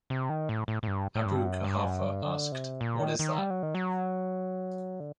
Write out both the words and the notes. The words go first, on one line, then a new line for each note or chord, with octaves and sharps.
Abu Quhafa asked, What is that?
C3
D#3
A2
A2
A2
G2
A2
G2
F#2
G2
F#2
G2
D3
C3
A#2
D#3
D#3
G3
F#3
D#3
F#3
D3